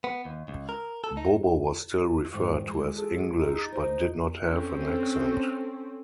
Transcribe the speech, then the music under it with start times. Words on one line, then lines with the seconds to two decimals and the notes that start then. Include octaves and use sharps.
Bobo was still referred to as English but did not have an accent.
0.04 B3
0.25 D#2
0.48 C#2
0.69 A#4
1.04 A4
1.17 D#4
2.33 G#2 D#3
2.67 E3 G#3
2.97 G#4 A4
3.39 D#4 G#4
3.72 A#4 C5
4.45 C4 C#4 A4